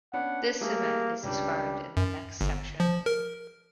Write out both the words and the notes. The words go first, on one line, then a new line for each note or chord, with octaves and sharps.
This event is described in the next section.
B3 C#4 D4 F#5
G3 A3 A#3 G#4
C#2 G3 D4
F#2
G1
F3
A#4